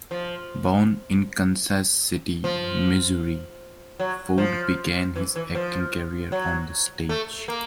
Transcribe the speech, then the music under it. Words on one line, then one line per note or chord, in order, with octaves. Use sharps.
Born in Kansas City, Missouri, Ford began his acting career on the stage.
F3
F3
F#3
F3
E3
E3
F3
F#3
A3
A#3